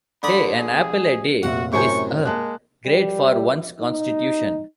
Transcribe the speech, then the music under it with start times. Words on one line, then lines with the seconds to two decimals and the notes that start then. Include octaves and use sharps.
Hey, an apple a day is...uh...great for one's constitution!
0.23 D3 D5 B5 D#6
0.59 G#4
1.43 F1 A#2 F#4 E5 F#5
1.73 F#2 A2 C3 F#3 G#5 C#6 G6
2.25 G#3 A#3 A5 F#6
2.86 G3
3.80 D#4